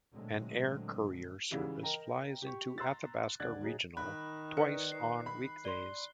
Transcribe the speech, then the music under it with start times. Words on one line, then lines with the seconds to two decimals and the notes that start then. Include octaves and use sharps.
An air courier service flies into Athabasca Regional twice on weekdays.
0.13 A#2 D3 F#3 G#3 A3 C4
1.51 G#2 C#3 E3 G3
1.83 A#4 D#5 G5 A#5
2.42 G4 C#6
2.78 A#5 C6 E6 F#6 A6
3.40 D#1 D3 D5 F#6 G#6 A6
3.63 F#3 D#4 G#4
3.97 D#3 B5 F#6
4.57 B4 D5 C#7
4.92 C7
5.26 B5
5.65 D5 C6 G7